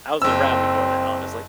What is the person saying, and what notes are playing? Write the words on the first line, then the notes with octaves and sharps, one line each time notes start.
I was around before that, honestly,
F#1 C4 E6